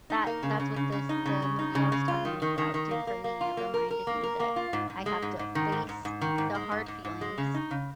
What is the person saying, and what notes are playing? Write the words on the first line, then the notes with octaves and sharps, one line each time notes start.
that that's what this the movie I was talking about, did for me, it reminded me that I have to face the hard feelings,
D#4
A#3
C#3
C#3
C#3
C#3
D#4
C#3
C#3
D#4
C#3
C#3
F4
D#3
D#3
D#3
D#3
A#3
A#3
A#3
F4
A#3
A#4
A#4
A#3
A#4
A#3
F4
G#2
G#2
G#3
G#2
G#2
D#3
G#2
G#2
G#2
D#3
G#2
G#3
G#2
G#2
G#2
G#3
C#3
D#4
C#3